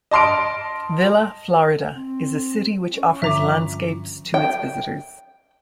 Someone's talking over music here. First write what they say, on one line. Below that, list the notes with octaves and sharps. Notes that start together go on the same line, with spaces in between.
Villa Florida is a city which offers landscapes to its visitors.
D#5 A5 C6 F6 D7
C4
C#4
G2 D3 F3 E5 A#5 D6
G5